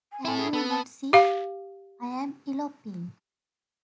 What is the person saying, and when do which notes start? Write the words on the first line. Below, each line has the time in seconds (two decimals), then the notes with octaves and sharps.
Can you not see - I am eloping!
0.12 G#5
0.25 E4 A4 G#5
0.37 G#4
0.54 B3 A4
0.69 A5
1.13 G4 F5